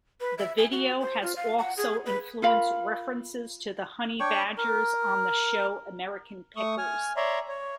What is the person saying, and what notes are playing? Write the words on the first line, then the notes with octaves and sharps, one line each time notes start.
The video has also influenced references to honey badgers on the show "American Pickers".
B4
E5
G#5
F#4
C5
F4
F5
F#5
G#4
B4
F4 A#4 F5 B5
D4 C#5 G5 C#6
A#4
A3 C#6 D#6
G#5 F6
C#5 D5 E5 A#5 C6
C#5